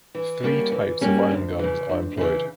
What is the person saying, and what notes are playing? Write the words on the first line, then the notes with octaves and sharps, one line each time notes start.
Three types of ion guns are employed.
E3
G3 A#3 C#4 F#4
E3
G3 A#3 C#4 F#4
D2
C#3 E3
D2
C#3 E3